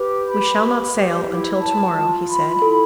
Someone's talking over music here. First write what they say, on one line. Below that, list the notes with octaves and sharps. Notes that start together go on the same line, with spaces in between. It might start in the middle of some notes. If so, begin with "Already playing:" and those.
"We shall not sail until to-morrow," he said.
Already playing: G4 B4
B5
G4
G4
E4
A5
F4
B5
E4 A4